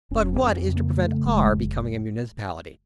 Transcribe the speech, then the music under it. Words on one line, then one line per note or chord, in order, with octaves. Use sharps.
"But what is to prevent our becoming a municipality?"
F1 C#4
C4
F2
C#3
A#3
C#3 A3
F1 G#3
F1